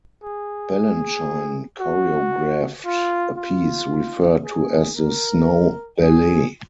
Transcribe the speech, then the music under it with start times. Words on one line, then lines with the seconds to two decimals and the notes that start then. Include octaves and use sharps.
Balanchine choreographed a piece referred to as the "Snow Ballet".
0.24 G#4
1.80 F#4
2.85 F4
3.38 F4
4.43 G#4
4.96 A#4
6.00 G#4